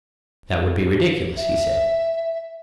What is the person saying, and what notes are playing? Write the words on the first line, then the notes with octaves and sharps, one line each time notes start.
That would be ridiculous, he said.
E5